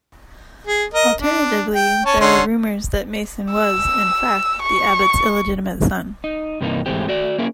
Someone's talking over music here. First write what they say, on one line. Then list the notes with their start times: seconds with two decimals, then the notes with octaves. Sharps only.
Alternatively, there are rumours that Mason was, in fact, the abbot's illegitimate son.
0.67 G#4
0.94 A#4 D#5
1.18 D4
1.75 G5
2.06 C#4 A5 C#6
2.20 D3 C#4 C6
3.52 E6
4.62 C#6
6.24 D#4
6.61 G2 C3 E3 A#3 D#4
6.86 G#2 E3 G#3 A3 C4 G4
7.08 A3 F#4 D5
7.38 A#3 C#4 E4 G#4 A#4